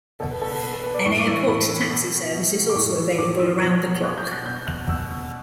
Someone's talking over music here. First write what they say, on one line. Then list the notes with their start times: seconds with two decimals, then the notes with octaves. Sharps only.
An airport taxi service is also available around the clock.
0.20 B2 A4
0.31 B4
0.42 A4
0.51 B4
0.62 B2 B4
0.73 A4
0.84 B4
0.94 D5
1.05 A2 C#6
1.19 D6
1.27 E3
1.34 C#6
1.47 A2 B5
1.69 E3
1.90 B2
2.33 B2
2.69 D6
2.75 A2 C#6
2.97 E3
3.18 A2 D6
3.39 E3 E6
3.61 B2
4.03 B2 F#6
4.18 G6
4.32 F#6
4.46 B2 G6
4.67 F#6
4.88 B2 E6